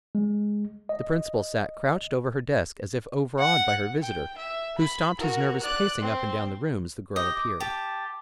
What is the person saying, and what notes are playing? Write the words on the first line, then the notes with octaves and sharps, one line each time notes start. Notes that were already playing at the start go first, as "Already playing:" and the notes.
The principal sat crouched over her desk as if overawed by her visitor, who stopped his nervous pacing up and down the room as the girl appeared.
G#3
D#5
F#5
G5
E5
B5
F#4 A#4
D5 F#6
C4 C6
G4 D#5
D6
G4 A5